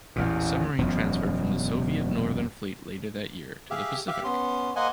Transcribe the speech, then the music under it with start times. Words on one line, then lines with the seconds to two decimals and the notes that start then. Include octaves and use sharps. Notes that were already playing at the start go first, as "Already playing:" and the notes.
The submarine transferred from the Soviet Northern Fleet later that year to the Pacific.
0.16 A1 E2 A#2
0.78 E1 F#2 B2 F3
3.70 G4 G#4 E5 F5
4.08 G4 E5 F5
4.24 B3 C#4 C6
4.76 A#3 C5 D#5 F#5 G#5